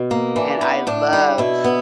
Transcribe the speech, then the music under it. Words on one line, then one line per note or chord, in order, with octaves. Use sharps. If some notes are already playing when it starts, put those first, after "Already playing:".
and I love
Already playing: B2
A#3
E3 D4
B3
A2 D4
G3
B2 E4
B3